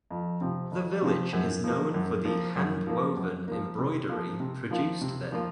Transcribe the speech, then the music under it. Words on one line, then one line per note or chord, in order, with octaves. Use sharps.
The village is known for the hand woven embroidery produced there.
F2
C3 F3 C4
F2
C3 F3 C4
F#2
F3 A#3
F#2
F3 A#3
F#2
F3 A#3
F#2
F3 A#3
C3
F3 A#3 F4
C3
F3 A#3 F4
C3
F3 A#3 F4